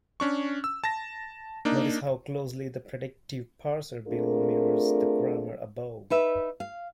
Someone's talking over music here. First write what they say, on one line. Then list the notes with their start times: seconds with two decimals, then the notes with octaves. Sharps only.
Notice how closely the predictive parser below mirrors the grammar above.
0.20 C#4 D4 C#6
0.64 E6
0.84 A5 A#6
1.65 A#3 D4 D#4
4.08 A3 C4 D4 F4 G#4 A#4
6.10 D#4 B4 E5
6.60 F5